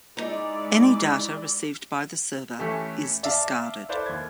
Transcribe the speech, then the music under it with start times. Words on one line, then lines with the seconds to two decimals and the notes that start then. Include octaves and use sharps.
Any data received by the server is discarded.
0.17 G#3 D#4 E4 D5 A#5
2.59 E3 A3 C#4 G4 A4
3.23 D5 E5 F5 A5
3.89 E4 A4 B4 C5 D5 F5
4.06 D#2 G#6